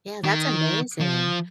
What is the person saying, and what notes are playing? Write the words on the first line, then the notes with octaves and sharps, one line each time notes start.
Yeah, that's amazing.
D#3
F3